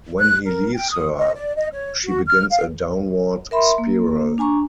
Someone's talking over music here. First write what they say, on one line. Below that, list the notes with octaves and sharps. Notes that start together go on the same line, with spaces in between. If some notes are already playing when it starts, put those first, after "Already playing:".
When he leaves her, she begins a downward spiral.
F#6
A#4
G5
D#6
D#5
D5
D#5
C#5
F#4
F6
F5
A#4 E5 B5 C6
A#3
D4 G#5 A#5 C#6